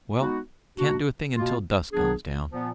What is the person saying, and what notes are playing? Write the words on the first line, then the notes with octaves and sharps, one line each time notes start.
Well, can't do a thing until dusk comes down.
G#3 B3 D#4 F#4
B2 A#3 D4 F#4
B2 A#3 F4
D#3 F#3 B3 D4 G#4
A#2 F3 B3